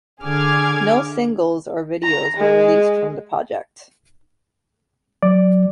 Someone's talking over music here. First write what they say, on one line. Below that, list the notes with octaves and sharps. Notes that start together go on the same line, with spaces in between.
No singles or videos were released from the project.
D3 G#4 D6 F6 G#6
A#5
G#3
F#3 D5